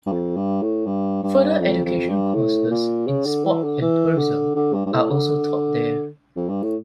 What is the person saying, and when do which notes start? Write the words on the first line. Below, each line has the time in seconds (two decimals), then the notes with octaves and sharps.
Further Education courses in sport and tourism are also taught there.
0.06 G2
0.12 F2
0.37 G2
0.62 A2
0.86 G2
1.23 G2
1.60 F2
1.85 F2
2.09 G2
2.34 A2
2.70 A#2
3.07 C#3
3.26 D3
3.45 E3
3.63 D3
3.81 E3
4.18 D3
4.55 D3
4.74 G2
4.86 G2
4.92 A2
5.10 D3
6.36 F2
6.49 G2
6.63 A2